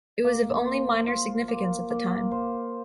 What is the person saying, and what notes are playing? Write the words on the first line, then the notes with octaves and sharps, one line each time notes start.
It was of only minor significance at the time.
A#3
C5
F4
A#3
A#3
C5